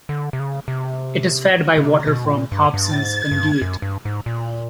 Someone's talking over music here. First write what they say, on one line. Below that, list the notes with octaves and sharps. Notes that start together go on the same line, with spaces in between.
It is fed by water from Hobson's Conduit.
D3
C3
C#3
C3
C#3
C3
B2
A2
A#2
G2
G2
A2
G#2
G2
F#2
G2
G#2
A#2